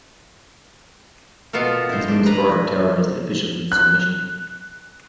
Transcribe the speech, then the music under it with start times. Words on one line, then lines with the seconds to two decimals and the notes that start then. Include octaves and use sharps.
These moves further terrorized the officials into submission.
1.53 B2 B3 F4 A4 A#4
1.89 E4 C5
2.08 D4
2.26 B4 A#5
3.72 F#6